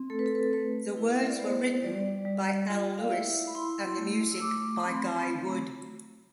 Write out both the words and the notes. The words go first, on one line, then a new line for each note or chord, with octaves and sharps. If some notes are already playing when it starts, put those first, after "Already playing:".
The words were written by Al Lewis and the music by Guy Wood.
Already playing: C4
A3 A4
B4
A4
B4
A4
A3 B4
E4
E5
D5
B3 C5
C5
G3 D5
G3
F4
G5
F5
E4 E5
B5
E4 C6
A3
E6
A3 D6
C6
C4 B5
A3